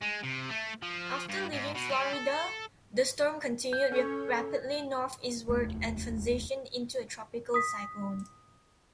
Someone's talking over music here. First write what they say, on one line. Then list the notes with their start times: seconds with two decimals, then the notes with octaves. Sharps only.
After leaving Florida, the storm continued rapidly northeastward and transitioned into a tropical cyclone.
0.02 G#3
0.24 C3
0.50 A3
0.83 F3
1.29 G2
1.52 G#2
1.75 B2
1.90 G3
2.13 A4
3.73 G6
3.92 C#4 A4 C#5
5.49 F1 D#2 A3
7.54 D#6 B6